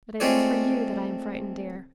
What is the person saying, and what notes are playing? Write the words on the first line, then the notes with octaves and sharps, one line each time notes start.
But it is for you that I am frightened, dear.
G#3 A3 C4 F4 C#5 D5